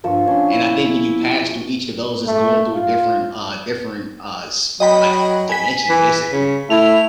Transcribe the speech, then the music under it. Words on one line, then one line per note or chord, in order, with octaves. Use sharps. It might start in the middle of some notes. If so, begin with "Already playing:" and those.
And I think when you pass through each of those, it's going through a different uh, a different, uh s like, f dimension, basically.
G2 F3 C#6 E6
C#4 D4 C6
E4
A3
F4
F#3 D#5 G5 B5
G#5 B6
E3
C#3
A3 E4 F7